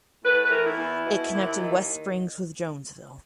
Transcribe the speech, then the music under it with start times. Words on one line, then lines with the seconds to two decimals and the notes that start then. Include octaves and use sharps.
It connected West Springs with Jonesville.
0.24 A2 B4
0.45 B4
0.51 E3 A#4
0.64 E4
0.77 E2
1.05 B2
1.31 D#2
1.58 D#3